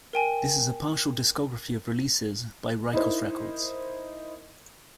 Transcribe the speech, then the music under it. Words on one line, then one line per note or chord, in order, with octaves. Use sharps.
This is a partial discography of releases by Rikos Records.
A#4 G5 G#5
D#4 E4 A#4 C5